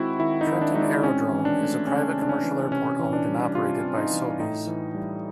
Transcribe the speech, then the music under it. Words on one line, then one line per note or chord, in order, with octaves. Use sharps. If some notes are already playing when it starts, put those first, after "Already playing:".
Trenton Aerodrome is a private commercial airport owned and operated by Sobeys.
Already playing: D#3 G#3 C4 E4 F#4
D#3 E4
D#4
D#3
D#4
D4
G#3 D#4
D4
C4 C#4
E3
D4
A3
C#3 C#4
C4
D4
C#4
E3
C3 C#4
E3
D4
G3
C3 F4
C3
D#4
E3
A2 D#4
E3
G3